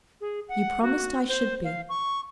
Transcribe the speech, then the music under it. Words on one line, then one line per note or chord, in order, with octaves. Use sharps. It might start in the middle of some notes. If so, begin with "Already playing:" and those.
"You promised I should be."
G#4
F#5
F#4
C5
F5
C#6